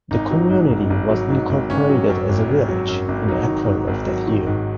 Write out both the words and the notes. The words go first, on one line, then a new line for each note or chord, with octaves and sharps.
The community was incorporated as a village in April of that year.
G#1 D#4
F#3
G#2
G#1
G#1
F#3
G#2
G#1
G#1 C#4
F#3
F#2
G#1
G#1
F#3
F#2
G#1
F#3 D#4
D#3
G#2
G#1
F#3
D#3
G#2